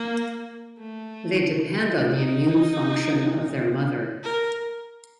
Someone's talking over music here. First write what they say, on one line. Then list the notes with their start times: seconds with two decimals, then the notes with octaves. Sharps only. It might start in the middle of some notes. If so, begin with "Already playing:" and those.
They depend on the immune function of their mother.
Already playing: A#3
0.79 A3
2.17 D#4
4.24 A#4